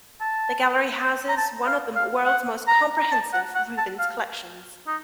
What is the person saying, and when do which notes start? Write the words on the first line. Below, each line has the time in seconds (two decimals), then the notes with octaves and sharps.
The gallery houses one of the world's most comprehensive Rubens collections.
0.21 A5
1.29 A#5
1.37 A5
1.66 F5
1.96 F5
2.25 F#5
2.68 A#5
3.01 A#5
3.12 A5
3.33 F#5
3.55 F#5
3.78 A5
3.99 F5
4.87 D#4